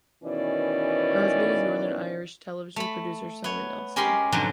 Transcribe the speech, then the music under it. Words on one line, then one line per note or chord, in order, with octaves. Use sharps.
Her husband is Northern Irish television producer Simon Nelson.
B2 D#3 E3 C#4 D5
A3 B5
B3 C#5
G#3 C#4 G4 A#4 B5 C6
F2 G#2 B2 D3 F#3